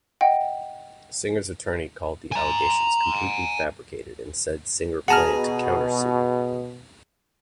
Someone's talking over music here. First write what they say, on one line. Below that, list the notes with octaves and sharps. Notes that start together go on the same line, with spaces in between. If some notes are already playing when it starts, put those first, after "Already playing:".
Singer's attorney called the allegations "completely fabricated" and said Singer planned to countersue.
D#5 F#5 G5
G#5 A#5
B2 G#4 F#5 A5 A#5 F6